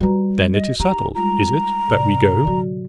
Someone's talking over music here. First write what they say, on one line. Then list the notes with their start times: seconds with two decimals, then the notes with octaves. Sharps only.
"Then it is settled, is it, that we go?"
0.01 G3 F4 F#4 B4 A#5
0.54 D#5
0.80 D#4 G4 A#5
1.15 G3 G#3 F4 A#5
1.88 A2 C3 D5
2.45 D3 F#3 F#4 D5